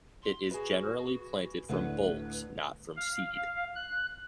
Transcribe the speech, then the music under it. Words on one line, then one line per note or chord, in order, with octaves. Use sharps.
It is generally planted from bulbs, not from seed.
C6
F#4 G#4 B4
D2 A2 D3 B4
F5
F#6